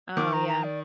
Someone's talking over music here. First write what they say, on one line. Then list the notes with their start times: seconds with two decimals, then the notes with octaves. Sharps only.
Oh yeah.
0.17 D#3 D6
0.33 A#5
0.48 A#5
0.63 D5